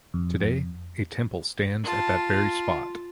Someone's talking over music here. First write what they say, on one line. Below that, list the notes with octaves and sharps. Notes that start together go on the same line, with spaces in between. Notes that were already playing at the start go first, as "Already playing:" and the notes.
Today a temple stands at that very spot.
F2
F4 A5